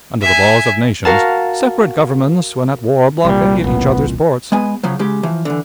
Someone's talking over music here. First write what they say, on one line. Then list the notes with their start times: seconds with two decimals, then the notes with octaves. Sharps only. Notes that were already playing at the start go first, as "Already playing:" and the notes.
Under the laws of nations, separate governments when at war blockade each other's ports.
0.21 E5 G#5
1.05 F#4 A#4 F5 A5
3.25 C2 A#2 G3
3.64 D#1 A1 B2 B3
4.52 G#3 B3 G#5
4.83 C#3 F3 F#3
4.99 C#3 G#3 G4
5.23 E3 F3
5.45 D3 E3